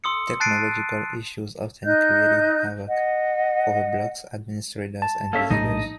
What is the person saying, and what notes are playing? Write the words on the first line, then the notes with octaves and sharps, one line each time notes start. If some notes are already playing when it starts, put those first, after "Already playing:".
Technological issues often created havoc for the blog's administrators and visitors.
C6 D#6 E6 C#7
A5 F#6 A6 C7 D7 D#7
D#4 D#5 F#6 G6
D#5 F#5
A5
A#3 C#4 A4 E5
A#1 A2 G3 D#4 D#5